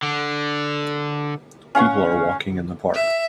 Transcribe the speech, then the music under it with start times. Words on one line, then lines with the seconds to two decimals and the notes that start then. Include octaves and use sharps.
People are walking in the park.
0.03 D3
1.75 C#4 F5 F#5 C#6
2.94 E5